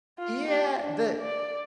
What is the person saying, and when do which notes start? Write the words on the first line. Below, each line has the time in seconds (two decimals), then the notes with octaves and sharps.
Yeah, the
0.18 F4
0.48 G4
0.81 D4
1.21 D5